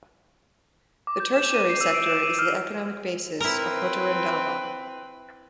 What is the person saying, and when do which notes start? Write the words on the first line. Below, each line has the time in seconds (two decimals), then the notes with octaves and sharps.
The Tertiary sector is the economic basis of Potirendaba.
1.07 D6
1.20 G6
1.34 E7
1.54 D#7
1.69 C7
1.81 E6
1.94 D7
2.06 E7
2.22 D#7
2.39 F6
3.40 C4 E4 A#4 B4